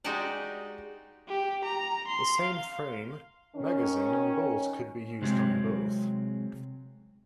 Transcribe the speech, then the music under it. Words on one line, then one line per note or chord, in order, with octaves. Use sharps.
The same frame, magazine and bolt could be used on both.
G#3 D#4 F#4 G4 D5 F#5
G4
A#5
C6
F5
D#3 C#4
C3 F#3 G#3 C4